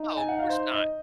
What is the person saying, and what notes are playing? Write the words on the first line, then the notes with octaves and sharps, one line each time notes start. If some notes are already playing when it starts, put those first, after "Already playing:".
Oh, course not.
Already playing: D#4
G#5
F#5
F5
C5
D#5